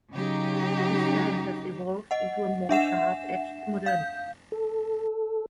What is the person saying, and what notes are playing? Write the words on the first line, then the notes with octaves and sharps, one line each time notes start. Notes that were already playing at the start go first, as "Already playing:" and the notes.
His style has evolved into a more sharp-edged modernity.
C#3 F#3 D#4 G4
D#5 F#5
D4 E5 F#5 E7
F5 G6
A4